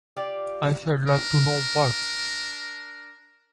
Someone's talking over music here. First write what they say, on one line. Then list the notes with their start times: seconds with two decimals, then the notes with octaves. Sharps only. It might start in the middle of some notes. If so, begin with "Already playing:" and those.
I should like to know what?
0.17 F4 G4 D5 F5
1.08 D4 A#4